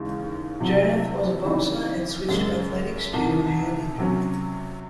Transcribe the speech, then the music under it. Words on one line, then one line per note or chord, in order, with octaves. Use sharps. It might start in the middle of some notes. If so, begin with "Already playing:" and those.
Jonath was a boxer, and switched to athletics due to a hand injury.
Already playing: D#2 C#3 E3 G#3
C2 C3 F#3
C#3 E3 C4 D#4
F#2 C#3 G#3
C2 C3 D#3
C3 F#3 C#4